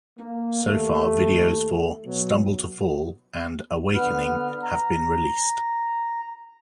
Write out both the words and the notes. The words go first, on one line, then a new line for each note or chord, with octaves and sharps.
So far videos for "Stumble to Fall" and "Awakening" have been released.
A#3
D#2 A3
B2 F#3
D3 B3 B4 F6
A#5